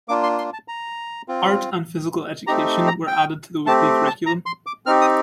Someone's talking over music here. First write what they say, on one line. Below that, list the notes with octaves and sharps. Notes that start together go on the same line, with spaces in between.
Art and physical education were added to the weekly curriculum.
A#3 D4 F4 D6
C6
C6
A5
A#5
C4 F4
A3 C4 D#4 G4 A#5
A#5
G5
A3 C4 G4 A5
A5
A#5
C6
D6
C4 D#4 G4 F6
D#6